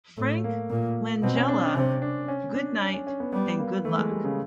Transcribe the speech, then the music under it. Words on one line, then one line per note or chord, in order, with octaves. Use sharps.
Frank Langella - Good Night, and Good Luck.
A2 A3
A#3
A#2 A#3
B2 C4
C#4
D4
D4
C3 D4
D4
C#4
D4
C#4
C#4
C#4
B3
G3 B3
A#3
E3 A3
G#3
G3
C#3